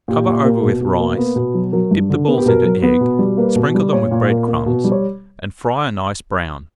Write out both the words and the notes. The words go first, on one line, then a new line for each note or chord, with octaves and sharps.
Cover over with rice, dip the balls into egg, sprinkle them with bread crumbs, and fry a nice brown.
A#2 G4
A#2
A#3
B2
B2
A#3
B3
B2
F#3
F#3 A#4
G2
D3
B3 A#4
G4
B2 A#4
F#3
B3
B2
G3
A#3 B4
B2
G3
A#2 C#5
A#2
A#3
A#3
B2
G3
C#5